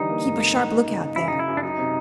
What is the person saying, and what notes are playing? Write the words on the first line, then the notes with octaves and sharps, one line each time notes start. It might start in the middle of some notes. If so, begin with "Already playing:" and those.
Keep a sharp lookout there.
Already playing: D3 E3 G3 D#4
A#3
G#2
A#3
G#2
F#2
C#3
C#3
F#2 E4
C#3 D#4
E4
F#2
D4
F#3 D#4
C3